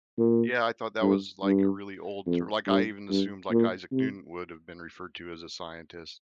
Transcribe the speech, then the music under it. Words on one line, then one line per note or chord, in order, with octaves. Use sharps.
Yeah, I thought that was, like, a really old ter like, I even assumed, like, Isaac Newton would have been referred to as a scientist.
A#2
G2
G2
F2
G2
G2
A#2
C3